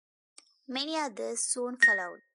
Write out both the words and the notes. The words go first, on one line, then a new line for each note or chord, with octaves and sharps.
Many others soon followed.
A#6